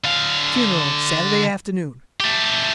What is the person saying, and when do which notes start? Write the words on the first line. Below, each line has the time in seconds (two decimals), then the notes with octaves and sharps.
Funeral Saturday afternoon.
0.04 D3 F5
2.20 A3 G4